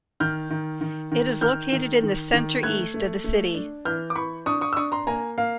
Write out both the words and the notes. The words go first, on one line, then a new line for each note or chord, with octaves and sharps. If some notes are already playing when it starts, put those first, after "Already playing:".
It is located in the centre-east of the city.
D#3 F6 G6
D#3
D#3
D#3
D#3 F6 G6
D#3
D#3
D#3
A3 F#6 G#6
A3
A3
D4
E3 F6 G6
D6
E3 B5 C#6
D4 C#6 D#6
C#6 D#6
E6
D4 C#6 D#6
A#5 C6
A#3 G#5 A#5
A#3 F5